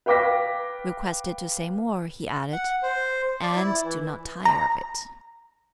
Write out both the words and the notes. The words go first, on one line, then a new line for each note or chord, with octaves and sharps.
Requested to say more, he added, "And do not tire of it."
B4 F5 G5 D6 A#6 B6
F#5
C5
D5
E4
E3
A#5